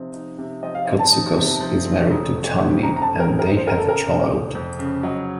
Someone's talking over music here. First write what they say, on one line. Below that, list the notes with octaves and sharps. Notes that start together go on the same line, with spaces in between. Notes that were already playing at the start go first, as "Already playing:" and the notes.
Cotsakos is married to Tami and they have a child.
Already playing: C3 F3 C4 D#4
D#4
C3
F3 D#5
F5
D#5
C4
A5
D#4
C3
F3
C4
F1
F1
F2
C#3 A#5
A#5
A5
F1
A#4
F1
A#4
F2 C5
A#4
C#3 A4
A#4
F1
F1
F2
C#3
F#3 D#5